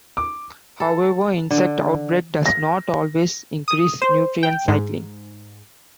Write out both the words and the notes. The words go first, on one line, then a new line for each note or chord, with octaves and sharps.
However, insect outbreak does not always increase nutrient cycling.
D6
A4
D3
A#6
D#6
C5
G5
G#2